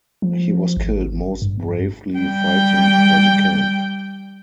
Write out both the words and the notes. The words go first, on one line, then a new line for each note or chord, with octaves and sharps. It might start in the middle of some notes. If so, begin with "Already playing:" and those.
He was killed most bravely fighting for the camp.
F3
G#1
G2
G3 G5